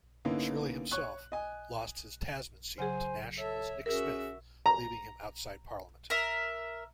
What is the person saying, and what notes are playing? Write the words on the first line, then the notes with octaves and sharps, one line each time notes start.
Shirley himself lost his Tasman seat to National's Nick Smith, leaving him outside Parliament.
D3 A#3 B3 C#4 D#4 E4
C#5 C#6 F#6
D#5 G#5
C#3 F#3 G#4 C5 G#5
A4 C#5 E5
C#4 F#4 G#4 A#4 E5
A#5
A#4 E5